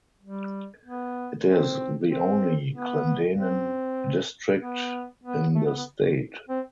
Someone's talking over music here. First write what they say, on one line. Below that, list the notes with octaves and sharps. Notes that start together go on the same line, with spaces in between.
It is the only Clendenin District in the state.
G3
B3
C4
C4
B3
C4
B3
B3
A3
B3
B3
C4